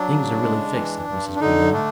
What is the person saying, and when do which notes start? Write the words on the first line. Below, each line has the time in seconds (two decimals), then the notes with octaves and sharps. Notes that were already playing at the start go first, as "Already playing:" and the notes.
"Things are really fixed," said Mrs. Greenow.
Already playing: F#3 D4
0.09 C#3
0.42 G#3
0.75 E3
1.08 G2
1.35 D4
1.40 D3 D#4
1.73 A3 D4